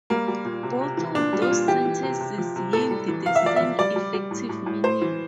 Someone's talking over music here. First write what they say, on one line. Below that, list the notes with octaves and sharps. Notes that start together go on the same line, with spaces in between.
Both of these sentences yield the same effective meaning.
G3 A#3
G3
A#2
C3
C3
E3
A#2 D4
G3
F4
A#2
E3 G4
E3
C3
C3
F3
C3
A2 A4
G3
E3
C3 F5
E5
F3 D5
F3 E5
G3 D5
G3
G3
A2
A2
A2
A2 C5
E3